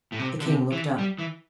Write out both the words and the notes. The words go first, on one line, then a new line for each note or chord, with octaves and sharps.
The king looked up.
A2
C3
D3
C3
E3
G3
E3